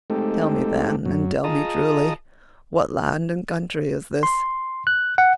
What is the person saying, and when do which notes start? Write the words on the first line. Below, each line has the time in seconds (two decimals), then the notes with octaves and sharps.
Tell me, then, and tell me truly, what land and country is this?
0.10 G#3 A3 C4 D#4 G4 A4
1.05 F#2 F#3
1.44 F4 G#4 D#5 A5 A#5 D#6
4.23 C6
4.87 F#6
5.18 F#5